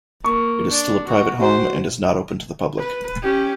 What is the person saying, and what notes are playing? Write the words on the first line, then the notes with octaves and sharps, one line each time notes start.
It is still a private home and is not open to the public.
A#3 C#6
D4
F#4
F#4 C5
B4
C#4 G4